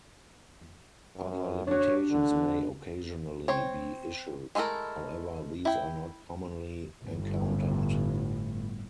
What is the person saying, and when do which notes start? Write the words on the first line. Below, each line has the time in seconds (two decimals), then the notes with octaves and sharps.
Other limitations may occasionally be issued, however these are not commonly encountered.
1.16 F#2
1.67 D4 F#4 C#5
2.11 D3
3.48 C4 C#5
4.55 G#3 A3 E4 A4 A#4
5.65 E4 G5
7.03 G1 A2